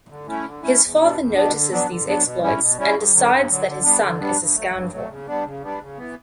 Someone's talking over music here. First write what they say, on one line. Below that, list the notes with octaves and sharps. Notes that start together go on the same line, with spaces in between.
His father notices these exploits and decides that his son is a scoundrel.
D3
A3 C#4 E4
D3
A3 C#4 E4
E2
B2 G3 B3 D4
E2
B2 G3 B3 D4
D3
F#3 B3 D4
D3
F#3 B3 D4
B2
G3 C#4 E4
B2
G3 C#4 E4
G2
D3 F#3
G2
D3 F#3
D3
G3 B3 D4
D3
G3 B3 D4
G2
F#3 A3
G2
F#3 A3
C#3
G3 B3 D4
C#3
G3 B3 D4
C#3
E3 B3